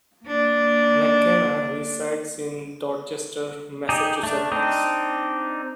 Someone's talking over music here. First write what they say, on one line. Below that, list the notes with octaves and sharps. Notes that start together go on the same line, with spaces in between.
McKenna resides in Dorchester, Massachusetts.
A#3 D4
D#4 G4 G#4
A3 D4
C4 D4 D#4